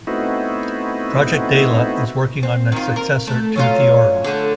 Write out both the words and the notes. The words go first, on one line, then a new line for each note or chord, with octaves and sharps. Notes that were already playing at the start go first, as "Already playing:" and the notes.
Project Daala is working on the successor to Theora.
A3 B3 C4 D#4 E4 F#4
C4
D#3 F4
A#4
A3
F#3 C#4 F4
D3 A3